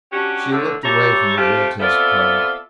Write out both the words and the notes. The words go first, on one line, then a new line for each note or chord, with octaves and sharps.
She looked away from the grotesque car.
C#4 D4 F#4 G4
A2 D3
G3 G4 C#5 E5 A5 A#5
A3 C4 F4 G4
B3 C4 F4 A4 D5 E5